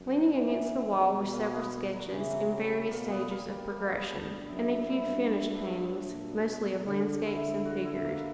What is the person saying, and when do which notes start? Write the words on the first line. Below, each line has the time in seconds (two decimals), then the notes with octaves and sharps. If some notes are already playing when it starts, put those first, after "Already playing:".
Leaning against the wall were several sketches in various stages of progression, and a few finished paintings--mostly of landscapes and figures.
Already playing: F#2
0.14 D3
0.34 E3
0.93 B2 F#3
1.06 F#3
1.19 G3
1.32 A#3
1.53 B3
1.91 F#3
2.11 C#3 E3
2.31 F#3
2.51 C#3 G3
2.90 B2 A#3
3.10 B3
3.30 A#3
3.49 G3
3.70 A#3
3.89 B3
4.10 D4
4.49 F#2 E4
4.69 D4
4.88 G2 E4
5.08 F#4
5.28 E4
5.40 E4
5.54 D4
5.68 D4
6.07 A#2
6.46 B2
6.85 D3
7.25 D3 E4
7.45 E4
7.65 F#4
7.85 E4
8.05 A#3